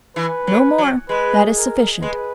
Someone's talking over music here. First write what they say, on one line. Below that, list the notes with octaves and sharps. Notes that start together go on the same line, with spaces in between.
'No more; that is sufficient.
E3 B4
F#3
F#3
G#3 B4
A#4
G#3 B4